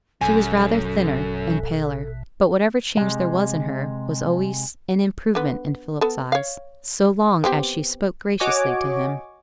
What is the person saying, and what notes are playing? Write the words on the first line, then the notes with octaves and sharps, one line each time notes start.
She was rather thinner and paler; but whatever change there was in her was always an improvement in Philip's eyes, so long as she spoke graciously to him.
A1 F#2 B2 A4 G#5
C3 G#3
D3 B3
B3 A4
C#5 F5
B3 C4 G4
F#4 C#5 D#5 G#5 D6